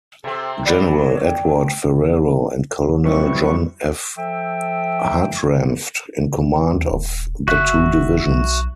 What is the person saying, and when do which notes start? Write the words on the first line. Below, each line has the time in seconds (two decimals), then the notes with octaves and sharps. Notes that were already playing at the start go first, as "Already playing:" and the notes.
General Edward Ferrero and Colonel John F. Hartranft in command of the two divisions.
0.24 C3 C4 A4
0.65 F#3 D5 B5
1.09 C#5
1.25 G5
3.05 F#3 G3 C4 E4 B4 C#6
4.17 F3 A4 E5 G5
6.76 D#2
6.91 D#1
7.48 F#1 F#4 E5 F#6
8.27 B1